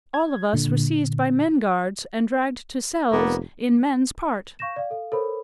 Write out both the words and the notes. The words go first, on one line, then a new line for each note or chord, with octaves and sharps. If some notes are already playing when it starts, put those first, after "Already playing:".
All of us were seized by men guards and dragged to cells in men's part.
G#6
A#2 D3
F1 A#3 B3
F5 C#6 G6 A#6 E7
D5 F5
A4 F5
A4 A#4 C5 C#5 B5